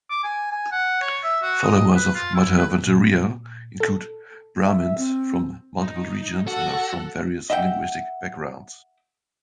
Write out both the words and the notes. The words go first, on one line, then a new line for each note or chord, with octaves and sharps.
Followers of Madhvacharya include Brahmins from multiple regions and are from various linguistic backgrounds.
D6
G#5
G#5
F#5
C#5
E5
F#4
D#5
B4
F4
E4
B4
A#2
A4
E5
C4
D#4
F#4 A4 F#5
D#5 E5 F#5 G5